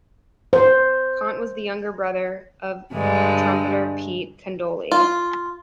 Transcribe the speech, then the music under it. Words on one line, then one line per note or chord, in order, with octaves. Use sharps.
Conte was the younger brother of trumpeter Pete Candoli.
C5
G2 D3 G#3
F4